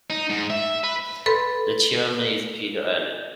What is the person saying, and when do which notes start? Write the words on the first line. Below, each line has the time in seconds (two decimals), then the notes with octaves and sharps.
The Chairman is Peter Allen.
0.10 D#4
0.30 G#2
0.50 E5
0.84 B4
1.26 A4 B4 B5 C6